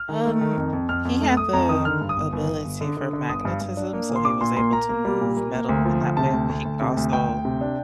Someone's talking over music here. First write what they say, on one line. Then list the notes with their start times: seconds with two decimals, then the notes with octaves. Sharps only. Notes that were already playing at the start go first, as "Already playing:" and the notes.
Um, he had the ability for magnetism, so he was able to move metal in that way, but he could also
Already playing: F6
0.09 D#3
0.25 A3
0.41 D#3
0.57 F2
0.73 F2
0.89 F2 F6
1.05 F2
1.21 A3
1.37 A3 D#6
1.53 F2 A#5
1.69 D#3 D#6
1.85 D3 F6
2.01 G2
2.09 D#6
2.17 G1
2.33 G1
2.49 G1
2.65 G1
2.81 D3
2.97 D3
3.13 D3
3.29 G1 D#6
3.45 G2
3.61 G2
3.77 D4
3.93 A#3
4.09 A#2
4.16 C6
4.25 D4 D6
4.41 A#2 C6
4.57 A#3 C6
4.73 A#3 A#5
4.89 A#3
5.05 G3
5.21 A#2
5.37 A#3
5.53 A#3
5.69 D2
5.85 F3
6.01 D2
6.17 C3 A5
6.33 D2
6.49 D2
6.65 D2
6.81 C3
6.97 D2
7.13 D2 G5
7.29 D2
7.45 C3
7.61 D4